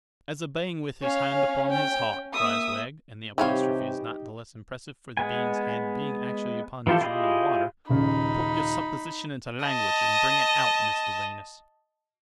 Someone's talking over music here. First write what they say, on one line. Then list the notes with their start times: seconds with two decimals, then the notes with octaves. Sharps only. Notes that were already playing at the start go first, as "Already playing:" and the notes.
'As a Being with his hand upon his heart,' cries Wegg; and the apostrophe is not the less impressive for the Being's hand being actually upon his rum and water; 'put your supposition into language, and bring it out, Mr Venus!'
1.02 C#4 C#5 F5
1.71 G5
2.35 A#3 E5 D#6
3.38 C3 E3 G3 C4 D#4 G4 C#5 F5
5.17 G#3 B3 G#5
6.87 E3 F3 F4 G4 A4
7.01 E4 F4 G4 G#4 D#5
7.89 D#1 C#3 D#4 B5
9.64 D#5 A5